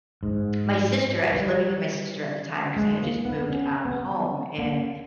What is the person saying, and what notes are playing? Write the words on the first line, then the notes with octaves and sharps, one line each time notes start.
my sister I was living with my sister at the time 'cause I had just moved, um, home, and
G#2
G3
G#3
A#3
B3
C#4
B3
A#3